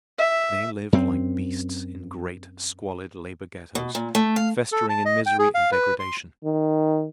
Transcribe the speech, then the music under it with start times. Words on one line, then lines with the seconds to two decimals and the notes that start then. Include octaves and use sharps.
They lived like beasts in great squalid labor-ghettos, festering in misery and degradation.
0.18 E5
0.93 F#2 C4
3.75 B2
3.95 A#2
4.15 A3
4.36 F5
4.72 A4
4.89 A5
5.05 D#5
5.26 G5
5.39 G#4
5.54 F5
5.72 B4
5.99 C6
6.44 D#3